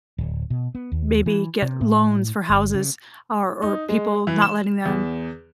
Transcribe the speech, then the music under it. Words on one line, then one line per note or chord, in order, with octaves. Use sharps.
maybe get loans for houses, or or people not letting them,
D1
B2
B3
D#2
E3
C3
A2
G1
C#3
D#4
G#3
E3
E7
E2